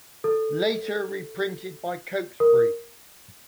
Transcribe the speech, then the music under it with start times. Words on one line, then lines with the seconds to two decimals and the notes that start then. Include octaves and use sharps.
Later reprinted by Cokesbury.
0.24 A4
2.40 A#4